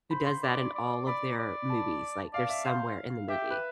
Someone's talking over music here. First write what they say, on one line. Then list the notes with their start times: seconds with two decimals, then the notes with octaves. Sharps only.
who does that in all of their movies, like they're somewhere in the movie.
0.11 C5 B5
0.26 C6
0.43 D5
0.74 D5
1.06 D5 B5
1.38 D5
1.70 A5
2.33 D5 F5
2.49 E5
2.65 C5 F5
3.28 G4 E5
3.51 B4